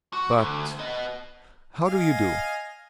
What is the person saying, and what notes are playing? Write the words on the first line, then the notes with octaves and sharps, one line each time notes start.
But how do you do?
F#4
D2
B3 D#5
D#5 F5 G#5